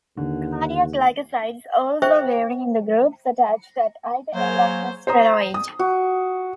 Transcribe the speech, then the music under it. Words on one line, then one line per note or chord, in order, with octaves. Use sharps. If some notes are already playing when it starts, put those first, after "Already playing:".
Cardiac glycosides also vary in the groups attached at either end of the steroid.
D#2 D3
C5 E5 G5 C#6
F#3 A#3 G#4 C5 C#5
C5 A#5 D#6
D#6
F#4